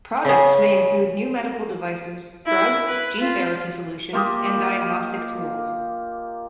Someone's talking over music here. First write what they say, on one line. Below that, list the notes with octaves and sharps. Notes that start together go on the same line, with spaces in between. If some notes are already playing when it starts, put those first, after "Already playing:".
Products may include new medical devices, drugs, gene therapy solutions and diagnostic tools.
C#3 G#4
E4
B4
F4
A#3 F4 G4 D#5